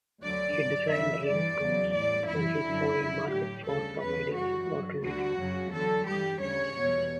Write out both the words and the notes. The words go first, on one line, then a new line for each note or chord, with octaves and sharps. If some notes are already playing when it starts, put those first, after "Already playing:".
He designed Ring Pops when he saw a market for providing an alternative.
D2 D3 F#3 D5
G2 F#3
F#2 C#3 E3 E5
G2 E3 G3 D5
E2 C#3 F#3
A2 G3 D5
F#2 E3 G3 E4
F#2 D3 F#3
F#2 D3 G3
A2 F#3 G4
D2 C#3 G3 A4
E2 C#3 E3 G3 B4
F#2 E3 G3 F#4
G2 F#3
D2 D3 G3 F#4
F#2 C#3 F#3
E2 D3 F#3 A4
G2 E3 G3 G4
D2 C#3 G3 C#5
E2 B2 G3